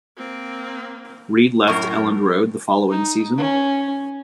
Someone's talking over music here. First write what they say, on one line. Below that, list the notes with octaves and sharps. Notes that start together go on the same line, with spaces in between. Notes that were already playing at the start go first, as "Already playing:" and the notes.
Reid left Elland Road the following season.
A#3 C4
F#2 A2 A#4 C#6
D#4
C#4